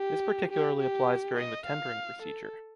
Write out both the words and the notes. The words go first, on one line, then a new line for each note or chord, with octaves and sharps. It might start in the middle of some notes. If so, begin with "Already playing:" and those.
This particularly applies during the tendering procedure.
Already playing: G4
G4
G4
D#5
F5
A4